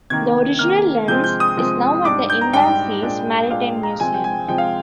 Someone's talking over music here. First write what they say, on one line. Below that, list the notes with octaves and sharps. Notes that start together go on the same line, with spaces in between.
The original lens is now at the Inland Seas Maritime Museum.
C3 D#3 A#3 G#6
C3 D#3 A#3 F6
C3 F3 G#3 C4 G6
G6
D#6
C3 F3 G#3 C4
G#2 G3 D4 D6
G6
A#5
G#2 G3 D4 G5
A#2 G#3 D4
A#2 G#3 D4 F5
A#5
C3 F3 G#3 C4 G#5
G5
G#5
C3 F3 G#3 C4 G5
F5